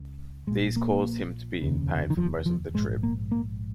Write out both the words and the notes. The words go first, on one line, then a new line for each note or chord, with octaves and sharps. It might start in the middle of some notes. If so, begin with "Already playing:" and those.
These caused him to be in pain for most of the trip.
Already playing: C#2 C#3
A#1 A#2 G#3
A#3
F1 D#2 C#3
D#3
F3
F3
A#1 G#2 G#3
A#3
A#3